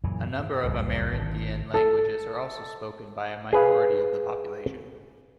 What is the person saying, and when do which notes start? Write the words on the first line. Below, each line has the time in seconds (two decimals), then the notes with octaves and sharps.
A number of Amerindian languages are also spoken by a minority of the population.
0.04 F#2 A#2 C#3 E3
0.39 G#2
0.64 D1 C2 F2 G#2
1.12 G#1 D3
1.74 A4
3.53 G#4 B4 F5